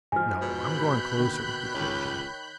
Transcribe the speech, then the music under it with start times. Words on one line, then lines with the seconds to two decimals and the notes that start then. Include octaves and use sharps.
"No, I'm going closer," declared Jimmie.
0.12 G#2 F3 G#5 F6
0.42 B2 B5 F#6 G6
1.15 A#2 D3 D#3
1.74 C#2 D#3 C#5